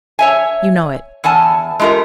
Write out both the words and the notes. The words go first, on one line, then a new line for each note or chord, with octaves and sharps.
You know it.
C#5 E5 G#5
E2 F#5 G#5 A5
G#3 A3 F4 G4 A#4